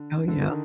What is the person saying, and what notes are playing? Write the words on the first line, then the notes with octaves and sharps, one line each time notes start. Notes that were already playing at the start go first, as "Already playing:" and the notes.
Oh, yeah.
Already playing: D3
D3
D#3